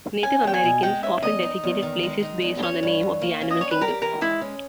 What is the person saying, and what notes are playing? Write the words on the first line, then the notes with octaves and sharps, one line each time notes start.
Native Americans often designated places based on the name of the animal kingdom.
C#4 G#5
E2 G5
G#5
B2
G#3 G5
C#4 E5
E2 D#5
D#4
E2
D#3
G#3
D#4
E2
C#4 C#5
G2
E3
A#3
C#4
D#5
G2 C#5
B4
G4 A#4
E3 A#4
G#3 E4
C#4